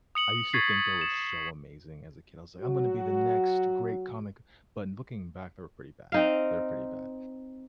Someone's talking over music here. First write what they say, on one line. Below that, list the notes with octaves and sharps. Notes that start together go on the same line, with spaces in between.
I used to think they were so amazing as a kid, I was like, "I'm gonna be the next great comic," but looking back, they were pretty bad, they were pretty bad,
D#6 C#7 F#7
C#6 G#6 A6 B6 C7
E7
F#3 F#4
C4 D#4 F5